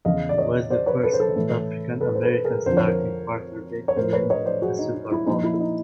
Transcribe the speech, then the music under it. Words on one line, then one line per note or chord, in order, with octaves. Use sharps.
He was the first African-American starting quarterback to win a Super Bowl.
E2 C#3 E3 D#5 F5
D5
C#5 D#5
C5 D5
B4 C#5
A4 B4
C5
A4 B4
A2 E3
A4 B4
C5
A4 B4
G#4 A#4
F2 D3 F3 C5
C#5
A#4 C5
C#5
A2 F3 A#4 C5
B4 C#5
C#5 D#5
C5 D5
F#4 G#4
D#4
D#4
E4
A#2 F3 D#4
E4
E4
D#4